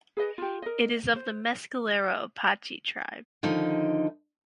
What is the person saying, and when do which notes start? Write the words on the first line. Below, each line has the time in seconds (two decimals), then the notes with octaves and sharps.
It is of the Mescalero Apache tribe.
0.17 G#4 B4 D#5
0.38 F4 G4
0.62 A#4 D#5
1.16 C5
3.43 D3 D#3 F3 D#4